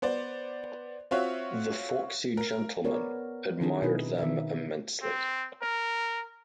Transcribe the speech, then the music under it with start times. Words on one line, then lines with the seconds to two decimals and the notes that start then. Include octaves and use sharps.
The foxy gentleman admired them immensely.
0.02 B3 C5 D5
1.11 C4 F4 F#4 C#5 E5
2.37 A#4
2.84 B3 A#4 B4 C#5 D5
3.61 D#3 C4 D4 E4 G#4
3.82 B2 D#4 E4 B4
4.18 D#3 E5
5.02 C4
5.62 A#4